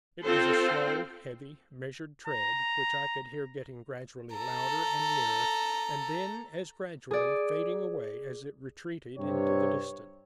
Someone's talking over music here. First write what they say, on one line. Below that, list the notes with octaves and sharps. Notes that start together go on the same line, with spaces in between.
It was a slow, heavy, measured tread which I could hear getting gradually louder and nearer, and then as gradually fading away as it retreated into the distance.
C4 F4 A4 C5
A#5
A4 A#5
G#4 D5
G2 C3 C#5